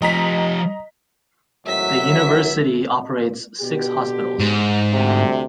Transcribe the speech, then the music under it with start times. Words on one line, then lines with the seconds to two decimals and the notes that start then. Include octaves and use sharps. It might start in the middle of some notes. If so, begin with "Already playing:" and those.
The university operates six hospitals.
0.02 F3 G4 D#5 A#5 B6
1.66 G#1 A2 F#3 E5 B6
3.60 B2 D3 G4
4.39 G#2
4.93 D2 C3